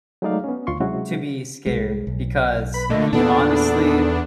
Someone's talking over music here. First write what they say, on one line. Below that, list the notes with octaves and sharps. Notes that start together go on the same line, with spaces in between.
to be scared because he honestly
F#3 G#3 A3 D#4 D5 F5
B3 C#4
D2 F4 C6 C#6
C3 F#3 G#3 C#4 E4 F#4
C2 G#3
B1
B4 B5
A#2 D3 A3 D#5
E2 A#2 B3 D4 A4